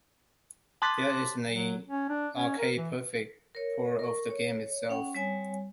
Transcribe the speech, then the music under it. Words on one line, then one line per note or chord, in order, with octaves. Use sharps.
There isn't a arcade perfect port of the game itself.
A5 C6 D6 F#6 A6 B6
F#3
C#4
D4
C#4
A#4
E3
A#4 C#5
A#4 C#6
C#5
C#4 F#5 G5 C#6
G3 C4 C#5 G#5